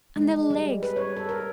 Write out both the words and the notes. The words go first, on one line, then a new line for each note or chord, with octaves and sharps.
And the legs!...
G#3
G3
B4
C#5
A4
A#4